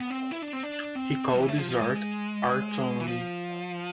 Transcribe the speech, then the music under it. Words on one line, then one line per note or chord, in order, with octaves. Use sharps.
He called this art "Artonomy".
B3
C4
E4
D4
C4
D4
C4
E3
A3
F3
F3
G#3
E3
F3